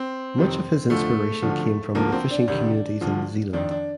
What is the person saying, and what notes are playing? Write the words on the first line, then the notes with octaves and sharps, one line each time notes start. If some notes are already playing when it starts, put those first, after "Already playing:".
Much of his inspiration came from the fishing communities in Zeeland.
Already playing: C4
F2 C3 D#3
F2 D3 F3 A3
D2 D3 F3
D2 D3 F3 A#3
C4
D4
C2 C3 D#3 D4
D2 D3 F3
F2 D#3 D4
D4